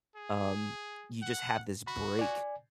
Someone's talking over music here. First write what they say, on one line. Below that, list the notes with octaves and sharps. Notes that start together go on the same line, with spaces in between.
um, you just have this break
G#4
F#5
F#4 B5
D5 G#5